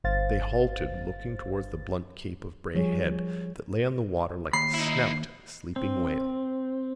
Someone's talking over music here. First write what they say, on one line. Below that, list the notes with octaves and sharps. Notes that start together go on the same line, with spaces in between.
They halted, looking towards the blunt cape of Bray Head that lay on the water like the snout of a sleeping whale.
G1 C5 F5 A6
F3 G3 G#4 C#5
D#2 B5 C7
D#4 E4
C4